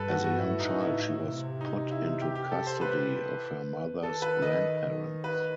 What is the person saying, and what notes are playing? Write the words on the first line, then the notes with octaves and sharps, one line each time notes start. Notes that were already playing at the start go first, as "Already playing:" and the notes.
As a young child she was put into custody of her mother's grandparents.
Already playing: G2 A4 B4
F#4
F#4
A2 E4
D#4
E4
A2 E4
C3
D#4
E4
G4
G4
A4
C5
B4
D#3 A4
B4
D#5
B4